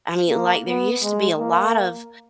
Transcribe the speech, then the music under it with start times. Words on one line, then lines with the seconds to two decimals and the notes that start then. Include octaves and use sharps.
I mean, like, there used to be a lot of
0.29 A#3
0.66 B3
1.03 G#3
1.39 A#3